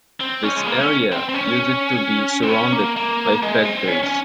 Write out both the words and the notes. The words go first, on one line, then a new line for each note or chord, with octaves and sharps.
This area used to be surrounded by factories.
C4
C#4
G#3
A#3
C#4
C4
C4
C#4
C4
C#4
A#3
A#3
G#3
C4
C#4
C#4